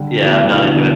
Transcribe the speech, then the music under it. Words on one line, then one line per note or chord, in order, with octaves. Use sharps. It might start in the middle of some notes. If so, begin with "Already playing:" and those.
yeah, I'm not into it.
Already playing: D3 G3
B2 E3
E3 A3
D3 G3
B2 E3
D3
B2 E3